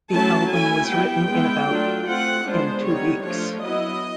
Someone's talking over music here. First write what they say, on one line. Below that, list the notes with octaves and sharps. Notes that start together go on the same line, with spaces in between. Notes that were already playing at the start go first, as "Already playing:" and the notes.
The album was written in about in two weeks.
F#3 A3 C#4 E4 A5
A3 C#4 E4 G#5
G3 B3 E4 G5
G#3 B3 E4
F#3 A3 D4 F4
A3 C4 F4 F#5
G#3 B3 D4 F4 C5
D3 G3 B3 D#4 C#5
F3 A3 D4 F4 C#5
F#3 B3 E4 D#5